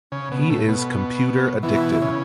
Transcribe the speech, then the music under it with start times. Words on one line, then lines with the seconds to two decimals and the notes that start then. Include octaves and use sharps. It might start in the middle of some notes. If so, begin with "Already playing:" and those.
He is computer addicted.
0.12 C#3 C#4
0.32 B2
0.50 A2
0.68 B2
1.63 B2 E3 E4
2.02 C#3